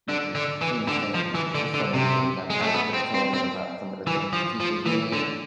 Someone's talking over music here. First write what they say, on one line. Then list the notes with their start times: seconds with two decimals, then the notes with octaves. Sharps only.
which is insane 'cause there's so many things I probably coulda told her about, some of the things the teachers did,
0.08 D3
0.35 D3
0.62 E3
0.88 D3
1.14 F3
1.35 E3
1.55 D3
1.74 D3
1.94 C3
2.50 G#3
2.62 A3
2.74 B3
2.93 C4
3.14 C4
3.34 C4
4.07 E3
4.33 F3
4.60 F3
4.86 E3
5.13 D3